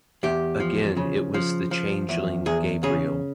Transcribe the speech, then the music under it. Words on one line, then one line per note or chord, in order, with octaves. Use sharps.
Again it was the changeling Gabriel.
E2 G4
F3
C#3
F3
F3
E2
E2 G#4
C#3 G#4